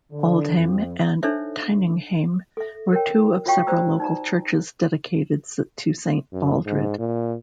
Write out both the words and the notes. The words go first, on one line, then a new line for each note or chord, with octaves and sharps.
Auldhame and Tyninghame were two of several local churches dedicated to Saint Baldred.
D3
F2
D4 D#4 A4 C5 C#5 E5
A4 E5
A#4 C#5 G5
F4 F#4 C#5 F5 G5 C#6
C5 D5 A#5 E6
D#4 D5 A#5
F#2
G#2
A#2